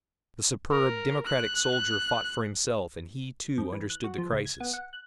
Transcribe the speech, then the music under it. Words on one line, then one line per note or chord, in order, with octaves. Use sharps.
The superb, democratic soldier fought for himself and he, too, understood the crisis.
A#4
F#6
F2
E3
F#6
F#4
F3
C#2
G#6
B3
F#5
F#6